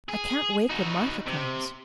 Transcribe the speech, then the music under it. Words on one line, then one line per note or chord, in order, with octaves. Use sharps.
"I can't wake when Martha comes."
G#4
D#4 F#4
C3